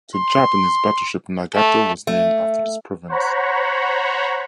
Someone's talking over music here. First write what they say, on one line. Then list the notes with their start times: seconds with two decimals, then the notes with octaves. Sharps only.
The Japanese battleship "Nagato" was named after this province.
0.15 C6
1.54 A3
2.07 A3
3.08 C5 C#5 F#5 A#5 B5 C#6